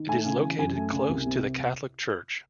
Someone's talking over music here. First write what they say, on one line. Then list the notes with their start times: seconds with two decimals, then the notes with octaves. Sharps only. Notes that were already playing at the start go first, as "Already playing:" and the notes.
It is located close to the Catholic church.
Already playing: D#3
0.08 A3 G#5
0.26 C#3
0.43 E3
0.58 F#2 G#5
0.75 A3
0.92 C#3
1.09 C2
1.26 C3